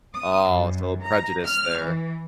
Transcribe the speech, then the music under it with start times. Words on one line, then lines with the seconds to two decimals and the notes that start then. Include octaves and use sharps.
Oh, it's a little prejudice there.
0.17 D#6
0.51 F#2
1.03 A#5
1.46 F6
1.83 E3